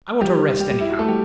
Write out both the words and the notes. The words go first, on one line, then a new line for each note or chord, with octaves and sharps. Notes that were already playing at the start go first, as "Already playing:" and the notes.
"I want a rest anyhow...."
G3 G4
G3 G4
G3 G4
E4
F#4
A3 A4
G3 G4